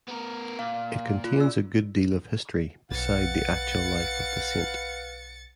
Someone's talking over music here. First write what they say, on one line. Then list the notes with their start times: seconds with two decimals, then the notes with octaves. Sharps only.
It contains a good deal of history beside the actual life of the saint.
0.08 B3 A#4
0.59 A#2 F5
1.24 F4
1.38 D5 E6
2.91 B1 B4 F5 F#5 A6 C#7